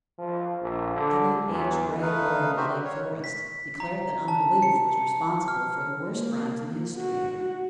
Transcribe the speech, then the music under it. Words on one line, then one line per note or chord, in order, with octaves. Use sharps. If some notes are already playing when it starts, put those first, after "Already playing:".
W. H. Wray Boyle of Lake Forest, declared that unbelief was responsible for the worst crimes in history.
F3
A#1
D3
E2
A3 D#4 B4 F5
F#4 G4 C5 E5
A#4
C#5
B6
A#5
A5
C#7
F6
A#3
F#4